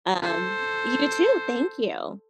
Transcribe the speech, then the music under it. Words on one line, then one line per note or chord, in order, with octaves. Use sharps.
Um, you too. Thank you.
A4 C5